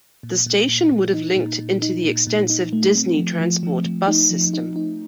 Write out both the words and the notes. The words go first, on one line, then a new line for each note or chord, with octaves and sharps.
The station would have linked into the extensive Disney Transport bus system.
A#2
A#2
A#2
A#2
D#4
A#2
A#2
D#4
A#2
A#2
D#4
A3
C4
F3
F3
F3
F3
D#4
F3
D#4
D#4